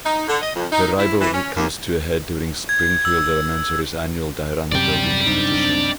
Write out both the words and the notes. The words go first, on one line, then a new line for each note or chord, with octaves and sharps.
Their rivalry comes to a head during Springfield Elementary's annual diorama building competition.
D#4
D3
D#5
F2
D#4
E4
E3
C#4
D#2
G#6
E6
F#2 C3 D5 G5
C4 D4 D#4